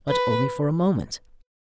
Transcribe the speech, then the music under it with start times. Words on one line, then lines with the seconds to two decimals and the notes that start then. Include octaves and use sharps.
But only for a moment.
0.09 B4